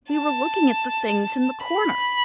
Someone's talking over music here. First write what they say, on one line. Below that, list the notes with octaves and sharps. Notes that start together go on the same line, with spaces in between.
'We were looking at the things in the corner.'
A5
B5